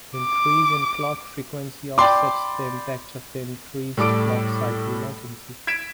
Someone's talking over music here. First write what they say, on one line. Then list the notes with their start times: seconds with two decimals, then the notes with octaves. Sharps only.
The increase in clock frequency offsets the impact of the increased clock cycle latency.
0.20 D6
1.98 D5 G5 B5 C6 D6
3.97 A2 G3 A4 D6 D7
5.67 G#6 B6 D7 E7